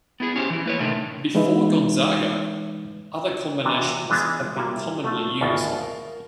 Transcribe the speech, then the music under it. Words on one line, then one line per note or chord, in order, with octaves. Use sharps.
Before Gonzaga other combinations have been commonly used.
B3 E4 G#4
C#4 G4 C5
E3 E4
A#3 B4 C#5
A2 C3 D#3 A3 D4
E3 G#3 D#4 B4 E5
C3 E3 D4 F#4 A#5
E3 G#3 B3 D4 F4
C3 G3 A#3 E4 F4
A3 F4
G#1 D2 B2 F4
A#4 F5